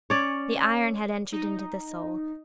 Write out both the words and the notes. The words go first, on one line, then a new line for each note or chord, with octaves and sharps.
The iron had entered into the soul.
C#4 C#5 D5
D#4